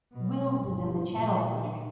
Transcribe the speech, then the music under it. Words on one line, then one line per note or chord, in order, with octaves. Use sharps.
Wills is in the Channel Country.
B2
G1
A#2